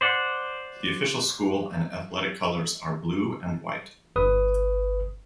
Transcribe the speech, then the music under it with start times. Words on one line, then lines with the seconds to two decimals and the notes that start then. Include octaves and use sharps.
The official school and athletic colors are blue and white.
0.01 C5 D5 F#5
4.16 G1 B4 D#6